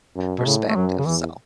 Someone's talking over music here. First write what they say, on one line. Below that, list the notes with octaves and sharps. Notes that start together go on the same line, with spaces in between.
perspective, so
F#2
B2
A2 C#3
A3
F#2 F#3
C#3
E2 E3